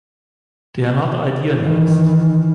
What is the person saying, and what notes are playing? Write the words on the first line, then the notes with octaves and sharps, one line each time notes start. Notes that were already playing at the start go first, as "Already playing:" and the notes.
They are not idealized.
D#3 E3